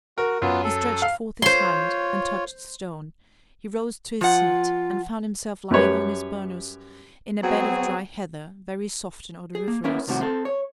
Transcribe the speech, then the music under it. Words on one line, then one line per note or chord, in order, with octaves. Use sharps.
He stretched forth his hand, and touched stone; he rose to his seat, and found himself lying on his bournous in a bed of dry heather, very soft and odoriferous.
F#4 A#4
F#2 B3 F4
A4
F5
F4 C5 C#5 C6
F3 F4 F#5
F#2 G3 B4 C#5
F#3 B3 C4 F#4 G#4
G#4
A#3
A#3 B3 C#4 E4 A#4 E5
C2 A2 C3 D#3 F#4
C4 A4
C#5